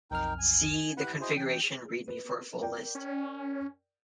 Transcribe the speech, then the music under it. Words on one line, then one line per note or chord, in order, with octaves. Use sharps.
See the configuration readme for a full list.
B1 F2 D#4 A#4 G5 F6
G#5
E4 G4 B4 F#5 B5
E4 F#4 G#4 C5 D#5
E3 C#4 G5
B4
A#4 D5 G5
C#4